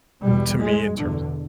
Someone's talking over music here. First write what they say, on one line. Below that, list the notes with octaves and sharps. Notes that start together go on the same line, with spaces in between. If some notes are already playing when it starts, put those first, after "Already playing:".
to me in terms of
E2 B2 G3
G#3
E2 B2 D3